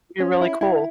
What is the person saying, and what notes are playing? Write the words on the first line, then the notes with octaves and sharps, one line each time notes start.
You're really cool.
C#4
E4
E4